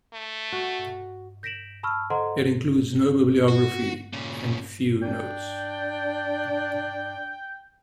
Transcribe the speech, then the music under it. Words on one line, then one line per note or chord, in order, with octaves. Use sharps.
It includes no bibliography, and few notes.
A3
F#4
G6 A#6 B6 D7 E7 F#7
A5 B5 C#6 E6 F6
A4 C5 D#5 F#5 A#5 C6
F#4
A#2 C#3
D4 G5